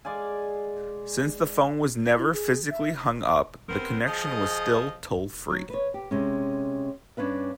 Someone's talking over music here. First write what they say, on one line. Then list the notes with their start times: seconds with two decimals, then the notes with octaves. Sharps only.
Since the phone was never physically hung up, the connection was still toll-free.
0.05 G#3 D5 F5 G#5
2.17 E4
2.33 G#4
2.70 E5
3.69 B3 C4 A#4 C5
4.07 F3 G#4 D#5
5.50 F#3
5.70 B4 C#5
5.94 G4
6.11 C3 G#3 C#4
7.17 G2 C#4 D4 B4 F5